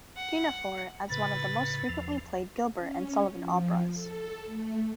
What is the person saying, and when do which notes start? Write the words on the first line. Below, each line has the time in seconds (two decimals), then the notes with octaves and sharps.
Pinafore as one of the most frequently played Gilbert and Sullivan operas.
0.16 F#5
1.10 A2 C#3 B4 A6
1.89 E2 F3
2.77 C#4
3.32 F3
3.93 A4
4.46 A3